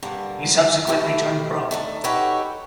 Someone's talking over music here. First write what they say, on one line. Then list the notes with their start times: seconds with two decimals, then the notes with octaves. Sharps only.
He subsequently turned pro.
0.03 G2 D3 A#3
0.87 B2 A3 E4 G4 A4
1.71 A3 D4 D#4
2.04 D#4 F#4 G4 A4 B4 C#5